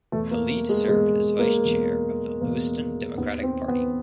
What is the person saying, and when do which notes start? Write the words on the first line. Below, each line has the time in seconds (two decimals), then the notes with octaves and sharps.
Khalid served as vice chair of the Lewiston Democratic Party.
0.12 E2 B2 A3
0.31 A#3
0.69 G#3
0.89 E2 B2 G#3
1.39 A#3
1.65 E2 B2
2.41 E2 B2 A#3
3.18 D#2 D#3 B3
3.43 C4
3.68 B3